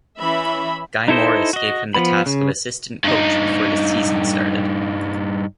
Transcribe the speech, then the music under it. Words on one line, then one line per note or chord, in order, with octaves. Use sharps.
Guy Morriss gave him the task of assistant coach before the season started.
E3 C#4 E5 B5
D#4 E4 A4 C5 D#5
F#4 D#5
F3 B3 B5
C#3
G2 D#4